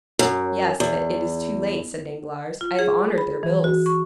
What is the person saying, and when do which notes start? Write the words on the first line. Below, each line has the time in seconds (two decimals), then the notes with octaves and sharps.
"Yes, but it is too late," said Danglars, "I have honored their bills."
0.19 F#2
0.80 E2
2.61 F4
2.79 G#4
3.18 B5
3.43 E3
3.64 F#4
3.86 C#6